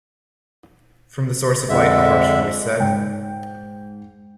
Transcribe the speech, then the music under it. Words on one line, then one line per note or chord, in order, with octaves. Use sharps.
From the source of light a harsh voice said.
F2 D3 G#3 E5
G#2 G5